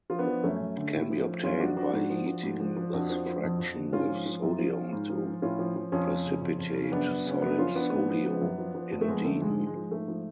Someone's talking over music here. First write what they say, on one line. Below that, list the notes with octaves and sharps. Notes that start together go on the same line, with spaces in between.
It can be obtained by heating this fraction with sodium to precipitate solid sodio-indene.
F3 F4
B3 D4
F3
F#2 A3 C#4
F#2
D3
A2
F3
F3
F#2 C#4 F4
F3 D4 F#4
F3 D4 F#4
G#2
F3
F3
G#2
F3
F3
F2 D4 F#4
F3
F3
F2
F2
D3
G#2 C#4 F4
F3
F3
F#2
F3
F3
G#2
F3
F3
A2 C#4 F4
F3
F3
F2 C#4 F4
F2
C#3
F2
F2
C#3
F#2 B3 D4
F#2
C#3
C#4
F#2 B3 D4
F3 C#4 F4
F3 B3 D4
G#2
F3
F3
F#2
F3
F3
F2
A3
F2 G#3 B3
D3 A3
G#2 G#3
F3
G#3
F3
G#2 A3
F3